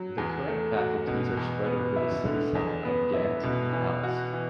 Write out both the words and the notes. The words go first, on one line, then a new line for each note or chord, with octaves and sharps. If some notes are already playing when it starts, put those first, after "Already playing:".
The current faculties are spread over the city center of Ghent and Aalst.
Already playing: F#3
E2
A3
F#4
B2
E2
B3
E4
D3
E2
B3
E4
B2
E3
F#4
E3